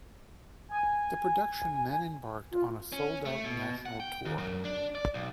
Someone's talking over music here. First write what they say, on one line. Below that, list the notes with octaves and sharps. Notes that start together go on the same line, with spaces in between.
The production then embarked on a sold out national tour.
G#5
F4
C#4
A3
B2
F#5
G5
D#2
F#2
D4
D5
B1